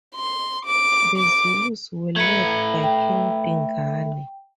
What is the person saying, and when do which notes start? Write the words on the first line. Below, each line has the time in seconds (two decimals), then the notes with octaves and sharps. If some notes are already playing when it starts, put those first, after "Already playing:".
The Zulus were led by King Dingane.
0.16 C6
0.66 D6
1.18 D6
2.16 A3 B4 G#6 C#7
2.84 G5